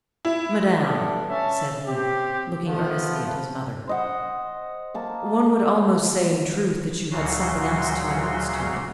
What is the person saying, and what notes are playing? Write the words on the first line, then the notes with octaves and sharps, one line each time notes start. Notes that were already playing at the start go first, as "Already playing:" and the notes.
"Madame," said he, looking earnestly at his mother, "one would almost say in truth that you had something else to announce to me."
E4
G3 A3 B3 D4
C#4 E5 A5
C4 G4
F3 A3 B3
C5 D#5 F#5
A#3 A5
D2 A#2 C#3 F#3 F#4 C6